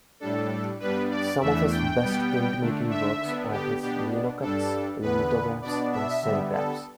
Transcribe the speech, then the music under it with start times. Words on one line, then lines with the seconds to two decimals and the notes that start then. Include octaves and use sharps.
Some of his best printmaking works are his linocuts, lithographs and serigraphs.
0.20 A2 G3 D4 A4
0.80 G2 G3 B3 D4 B4
1.11 D5
1.40 E2 E3 A3 D4 E5
1.71 G5
2.01 B2 G3 B3
2.61 D3 A3 D4
2.91 E5
3.22 D3 B3 D4
3.52 G4
3.82 B2 B3 D4 G4
4.42 G2 G3 D4 A4
5.02 E2 D3 B3 B4
5.62 B2 B3 D4 D5
5.92 E5
6.22 D3 G3 B3
6.53 A4